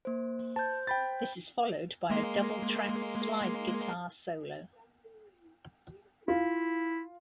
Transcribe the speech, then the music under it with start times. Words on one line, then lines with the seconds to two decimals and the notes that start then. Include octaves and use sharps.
This is followed by a double-tracked slide guitar solo.
0.05 A#3 C5
0.56 C5 A5 G6
0.87 G5 B5 A6
2.10 G#3 A#3 C6
6.28 E4 F4